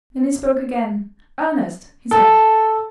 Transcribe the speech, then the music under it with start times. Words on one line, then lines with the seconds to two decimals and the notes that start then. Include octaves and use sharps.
Then he spoke again: 'Ernest,' he said.
2.11 A4